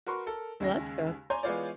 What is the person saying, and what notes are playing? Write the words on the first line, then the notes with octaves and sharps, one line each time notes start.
Well, that's good.
F#4 A#4 B4 C6 C#6
A4 A#4
D#2 C#3 G#3 A#6
C#5 D5 G#5 A#5 C6 G6
E3 G#3 B3 F4 C#5 D5